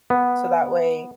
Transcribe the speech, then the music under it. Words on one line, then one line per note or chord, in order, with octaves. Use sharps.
So that way,
B3